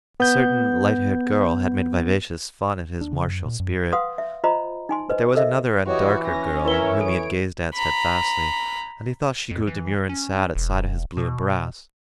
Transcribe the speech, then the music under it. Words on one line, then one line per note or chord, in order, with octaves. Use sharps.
A certain light-haired girl had made vivacious fun at his martial spirit, but there was another and darker girl whom he had gazed at steadfastly, and he thought she grew demure and sad at sight of his blue and brass.
B3 G6
D4
C#3
F#2
A#2
F#2
B4 F5 F#5 C6 D#6
E5
F4 C5 D#5 A#5 B5
D#4 G#5 C6
B4 C5 D#5
A4 A#4 C5 D#5 E5
E3 F#4 G4 C#5 D#5
C#4 A#6
E3 E4 A#4 B4 C#5 E5 G7
A4 C#5 D7
A#5 B5
F2
E3
C#4
E1
B2